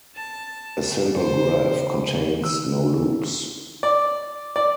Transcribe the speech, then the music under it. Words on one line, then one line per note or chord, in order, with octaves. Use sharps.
A simple graph contains no loops.
A5
C5
E6
D5
D5